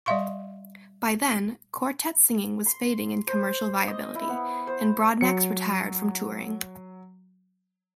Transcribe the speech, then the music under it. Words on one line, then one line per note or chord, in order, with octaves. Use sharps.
By then, quartet singing was fading in commercial viability, and Broadnax retired from touring.
G3 D5 E5 F5 C6 C#6
C6
C5
D#5
E4
B3
C5
F#3 C#7